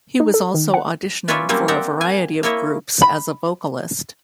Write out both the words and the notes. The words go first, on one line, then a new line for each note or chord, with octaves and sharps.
He was also auditioning for a variety of groups as a vocalist.
D#4
A4
D#3
F#5
C#4 F4 B4 C#5 D5 E5
F#3 G3 A#3 C4 C#4
C4 D5 E5 F#5 G5 A#5
G#5
A#3 E4 C#5 D#5 E5
B5